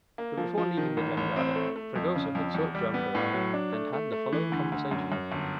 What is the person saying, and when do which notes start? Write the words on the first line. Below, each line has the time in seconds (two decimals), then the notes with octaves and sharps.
But before leaving the jangada Fragoso had sought Joam Garral, and had the following conversation with him.
0.18 A#3
0.37 F3
0.58 F3
0.77 D#3
0.97 A1
1.17 A1
1.36 C4
1.56 A3
1.76 A3
1.96 F2
2.15 C#3
2.35 F2
2.54 E2
2.75 G3
2.94 B3
3.15 A2
3.34 F#3
3.54 D4
3.73 A3
3.93 A3
4.12 A3
4.32 E3
4.52 D2
4.72 D2
4.91 F#2
5.12 F#2
5.32 G1